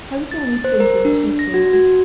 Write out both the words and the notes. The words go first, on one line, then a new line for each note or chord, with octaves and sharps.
"I was only thinking," she said.
A6
C5
A#4
D4
A#6
F#4
F#4